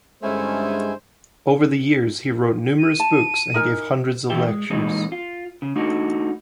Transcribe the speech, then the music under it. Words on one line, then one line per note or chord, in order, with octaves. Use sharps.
Over the years he wrote numerous books and gave hundreds of lectures.
G2 D3 G#3 A3 C#4 E4 C5 G#5
D#7
A5
D#4 A#4 G#5
D#3 E3 G4 E5 G5
G#3
A#2 E3 G#3 C4 D#4
F4
C#3
A3 D4 D#4 F#4